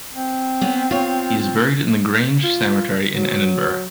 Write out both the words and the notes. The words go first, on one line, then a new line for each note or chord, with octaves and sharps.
He is buried in the Grange cemetery in Edinburgh.
C4
B3 C#4
F4 C#5
F4
F#3